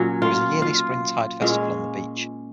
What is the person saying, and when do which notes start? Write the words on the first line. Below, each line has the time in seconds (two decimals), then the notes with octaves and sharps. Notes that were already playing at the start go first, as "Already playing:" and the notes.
There is a yearly Spring Tide Festival on the beach.
Already playing: A#2 F#3 C#4 F#4
0.22 F4
0.62 F4
1.41 A#2 G#3 C#4